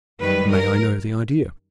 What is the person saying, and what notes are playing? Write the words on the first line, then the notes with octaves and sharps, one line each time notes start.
"May I know the idea?"
F#2 D#3 G3 B4
A#4